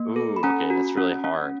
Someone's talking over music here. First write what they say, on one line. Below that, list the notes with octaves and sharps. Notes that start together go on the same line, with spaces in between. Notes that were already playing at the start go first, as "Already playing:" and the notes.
Ooh, okay, that's really hard.
Already playing: A#3
A4
B5
C#4 G#5 A#5
F#4
C#4
C#4